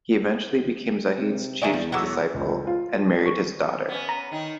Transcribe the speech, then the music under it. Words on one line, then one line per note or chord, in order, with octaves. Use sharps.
He eventually became Zahid's chief disciple and married his daughter.
C3
D#3 F3 F#3 D5 E5 G#5
E2 G3
F#3 A3 B3 F#5 D6 E6
C#2
F4
C#6
B3 C#4
A#5
D#3 D#4